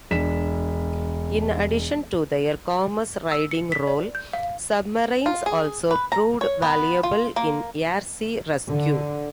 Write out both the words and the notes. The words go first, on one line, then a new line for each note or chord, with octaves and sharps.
In addition to their commerce raiding role, submarines also proved valuable in air-sea rescue.
E1 D4 B6 E7
E6
C#7
B6
D5
G6
F5
F4
G#4
B4
A#5
C#5
B3
F4
A#3
D3